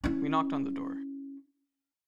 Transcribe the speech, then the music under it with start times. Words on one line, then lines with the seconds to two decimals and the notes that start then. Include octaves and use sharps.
We knocked on the door.
0.04 C#4 E4